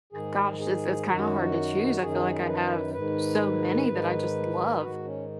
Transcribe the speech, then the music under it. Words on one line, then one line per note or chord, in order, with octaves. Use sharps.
gosh, it's it's kinda hard to choose. I feel like I have so many that I just love.
G#2 D#3 G#4
G#4
F#2 D#3 F#4
F#2 D#3 G#4
B4
G#2 D#3 B4
G#2 D#3
G#2 D#3 F#4
C#4